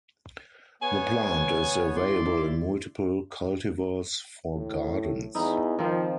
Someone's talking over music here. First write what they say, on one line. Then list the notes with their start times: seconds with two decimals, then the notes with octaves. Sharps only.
The plant is available in multiple cultivars for gardens.
0.82 B3 C#5 G#5
1.96 E4 D5 C6
4.53 A2
5.35 E2 D#4 E4
5.79 D#3 F3 C4